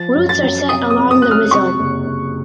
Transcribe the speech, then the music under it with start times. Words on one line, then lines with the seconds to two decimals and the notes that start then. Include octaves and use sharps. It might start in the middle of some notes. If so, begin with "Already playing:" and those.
Roots are set along the rhizome.
Already playing: F3 A6
0.15 F#2
0.29 A6
0.43 F#2
0.69 C3 D#6
0.90 D#6
0.97 F2
1.11 D#6
1.22 F2 F#6
1.31 F6
1.51 C3 C#6
1.79 F#1
2.06 F#1